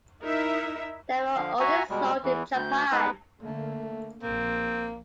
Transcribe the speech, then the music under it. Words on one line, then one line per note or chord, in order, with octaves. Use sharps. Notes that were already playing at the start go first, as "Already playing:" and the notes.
They were only sold in Japan.
D#4 E4 A#4 E5
D3 F3 F5
F#4 E5 G#5 A#5 C#6
B2 G3 G#3
E2 E3
D2 G6
G#3 B3 D#4 B4
D3 A3 A#3
A#1 A#3 C4